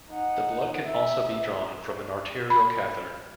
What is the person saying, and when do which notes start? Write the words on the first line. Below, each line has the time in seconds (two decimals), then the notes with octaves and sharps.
The blood can also be drawn from an arterial catheter.
0.10 D#4 F#5
0.85 E5
2.50 B5